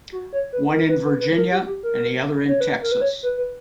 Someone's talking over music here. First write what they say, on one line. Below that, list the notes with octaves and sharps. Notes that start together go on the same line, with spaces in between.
One in Virginia and the other in Texas.
F#4
C#5
B4
A#4
B4
B4
B4
A#4
G4
G4
A#4
C#5
B4
A#4
B4
C#5
B4
B4